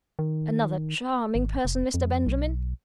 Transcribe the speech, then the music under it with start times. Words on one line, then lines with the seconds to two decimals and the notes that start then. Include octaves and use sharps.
Another charming person, Mr. Benjamin!
0.19 D#3
1.35 G#1
1.65 F1
1.94 F2
2.27 B1